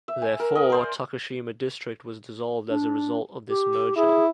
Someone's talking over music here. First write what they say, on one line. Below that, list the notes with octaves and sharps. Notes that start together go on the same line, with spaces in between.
Therefore, Takashima District was dissolved as a result of this merger.
E5
G#5
A#4
D#5 D#6
A#4 C5 D5
D4
G4
E4 G#4